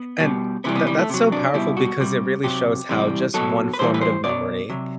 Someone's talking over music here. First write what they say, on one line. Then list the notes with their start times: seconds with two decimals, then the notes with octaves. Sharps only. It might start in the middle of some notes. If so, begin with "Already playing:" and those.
And that that's so powerful because it really shows how just one formative memory
Already playing: B3
0.20 B2 G3
0.64 C3 E3 G3 B3
0.75 B3
0.87 G3
0.98 A3
1.10 C3 F#3
1.32 D4
1.54 B2 G3 E4
1.77 F#4
2.00 C3 G3
2.44 C3 F#3 G4
2.89 C3 E3 G3
3.34 B2 F#3 A4
3.73 B4
3.79 A2 E3 G3 C5
3.94 B4
4.01 C5
4.24 B2 F#3 D5
4.70 C3 F#3